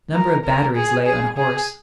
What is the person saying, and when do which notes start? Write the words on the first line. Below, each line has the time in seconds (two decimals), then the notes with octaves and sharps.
A number of batteries lay unhorsed.
0.14 A#4
0.45 A#4
0.76 G#4
1.06 G#4
1.37 G#4